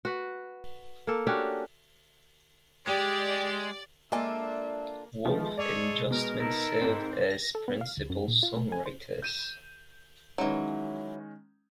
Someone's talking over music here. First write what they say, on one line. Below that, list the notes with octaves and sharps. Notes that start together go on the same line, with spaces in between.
Wolf and Justman served as principal songwriters.
F#4 B4
A#3 A4
C#4 D4 F#4 G4
G#3 G4 D5 G5
G#3 A#3 D4 F4 A4 E5 G#5
F3 G#3 A3 B3
G#4 A4 C#5 D5
B2 A#4
D#4 E4 A4 A#4
G#2 C4
A#6
A4
B3
F5
D2
F#2
A#2
F4
A3
G#5
C5
G6 D#7 E7
D#3 E3 F#3 G#3 C#4